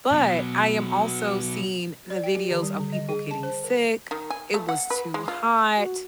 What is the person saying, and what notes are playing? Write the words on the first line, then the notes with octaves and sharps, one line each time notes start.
but I am also seeing the videos of people getting sick, it was too hot,
B2 F#3
D5
G5
G4
D#3
G3
D3
D#5
G#4
A5
C5
A#4
D#3
G#5
A3
F#5
B4
G#3
F4
F#4